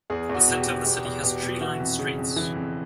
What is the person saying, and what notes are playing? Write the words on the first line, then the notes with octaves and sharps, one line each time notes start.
The center of the city has tree-lined streets.
E2 G#4
E2
F#4
B2
G4
B2
E2 G4
E2
B2 G4
B2
E3 F#4
F2
C#3
F2
E3
F2